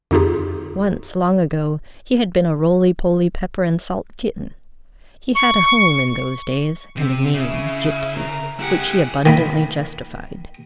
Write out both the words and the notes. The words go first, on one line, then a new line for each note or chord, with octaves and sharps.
Once, long ago, he had been a roly-poly pepper-and-salt kitten; he had a home in those days, and a name, "Gipsy," which he abundantly justified.
F2 D3 D#4 F4 G4 G#4
C#6
C3
C#3 E4
A#4
E4 G4 G#4 F#5
D#3 A#3 B5